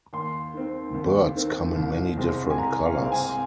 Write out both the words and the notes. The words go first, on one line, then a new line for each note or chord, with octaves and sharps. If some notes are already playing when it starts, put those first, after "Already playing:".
Birds come in many different colors.
D#2 C6
D#3 C4
D#2
D#3 C4
C2
C3 G#3 C4
G#5
C2 A#5
F5
C3 G#3 C4
G#5